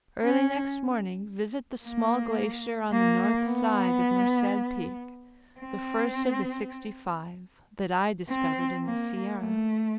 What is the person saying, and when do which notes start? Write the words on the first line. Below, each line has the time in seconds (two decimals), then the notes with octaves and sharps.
Early next morning visit the small glacier on the north side of Merced Peak, the first of the sixty-five that I discovered in the Sierra.
0.23 C#4
1.84 A#3
2.92 A#3
3.46 B3
5.60 C4
8.30 C4
8.84 A#3
9.37 A3